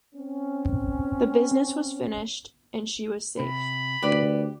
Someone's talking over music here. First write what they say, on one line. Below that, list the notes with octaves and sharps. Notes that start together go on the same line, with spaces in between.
The business was finished, and she was safe.
C4 C#4
C3 B5
D2 G4 B4 D5